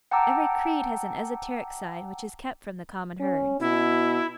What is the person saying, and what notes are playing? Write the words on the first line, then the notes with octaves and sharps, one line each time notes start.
Every creed has an esoteric side which is kept from the common herd.
F#5 G5 A5 A#5 D6 E6
C#4
B2 E4